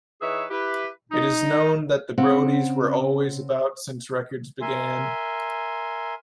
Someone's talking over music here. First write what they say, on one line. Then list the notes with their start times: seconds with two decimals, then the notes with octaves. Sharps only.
It is known that the Brodies were always about since records began.
0.21 E3 D#4 G#4 B4 C#5 E5
0.50 E4 G4 B4
1.11 D#4
2.18 C#3 C4 F#5
4.61 A#4 E5 G#5 C6